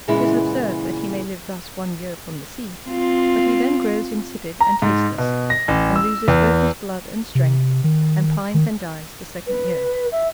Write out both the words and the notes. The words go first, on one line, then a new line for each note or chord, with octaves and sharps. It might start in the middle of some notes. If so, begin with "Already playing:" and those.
'Tis observed, that he may live thus one year from the sea; but he then grows insipid and tasteless, and loses both his blood and strength, and pines and dies the second year.
A#2 C#3 E3 G#3 B3 E4
C4 F4
A#5
G#2
B2
A#6
A1
E6
E2
C3
D#3
D#3
B4
E5